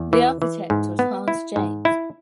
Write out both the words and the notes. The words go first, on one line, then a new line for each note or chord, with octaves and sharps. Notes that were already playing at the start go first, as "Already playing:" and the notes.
The architect was Hans James.
Already playing: E2
E3
E3
G#2
B3
E4
G#2
E4